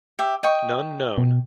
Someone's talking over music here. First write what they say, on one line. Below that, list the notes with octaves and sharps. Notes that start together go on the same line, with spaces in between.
None known.
G4 E5
D#5 G5 C#6
B2